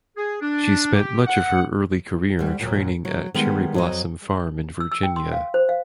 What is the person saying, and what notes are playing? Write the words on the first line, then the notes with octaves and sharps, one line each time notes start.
She spent much of her early career training at Cherry Blossom Farm in Virginia.
G#4
D4
G4
F#5
D2 G3
D#2 A#2 F#3
F#3
D#3 G3 G#3 B3
F2 F#3 D#5
E6
E6
G5
C6
F5
C5
F5